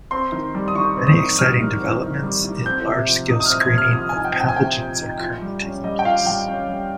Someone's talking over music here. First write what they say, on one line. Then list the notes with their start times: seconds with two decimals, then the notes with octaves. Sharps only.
Many exciting developments in large-scale screening of pathogens are currently taking place.
0.11 C4 C6
0.32 D#3
0.55 G3
0.68 D#6
0.75 D#3 C#6
0.97 C4
1.07 D#6
1.18 D#3
1.39 G3 F6
1.60 D#3
1.81 C4
2.02 D#3
2.23 G3
2.44 D#3
2.66 C4 G6
2.87 C3
3.08 F3
3.29 D#4 D#6
3.40 D#6
3.46 C4 F6
3.61 G#6
3.71 C3
3.78 F6
3.93 F3 D#6
4.09 D#4 G#5
4.25 G5
4.35 C4
4.41 G5
4.48 G#5
4.56 C3 G5
4.78 F3
5.00 D#4
5.20 F4
5.41 G3
5.62 C#4
5.84 G3 D#5
5.99 G5
6.05 F4 F5
6.26 G3 G5
6.47 C#4
6.68 G3